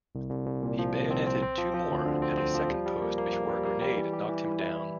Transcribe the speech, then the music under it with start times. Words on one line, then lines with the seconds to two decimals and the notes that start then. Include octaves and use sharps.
He bayoneted two more at a second post before a grenade knocked him down.
0.15 C2
0.30 C2
0.47 C2
0.63 A#2
0.79 F3
0.94 C2
1.10 C4
1.26 C4
1.43 C4
1.58 F3
1.74 F3
1.90 D2
2.06 D3
2.22 C4
2.38 C4
2.54 F3
2.70 G3
2.86 G3
3.02 A#3
3.18 A#3
3.33 A#3
3.49 G3
3.65 A#3
3.81 G3
3.97 E3
4.13 G4
4.29 E3
4.45 E4
4.61 E4
4.76 E4